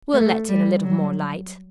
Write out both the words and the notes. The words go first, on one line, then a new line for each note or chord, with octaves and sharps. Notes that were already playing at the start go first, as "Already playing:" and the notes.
We'll let in a little more light.
A3
G3
F#3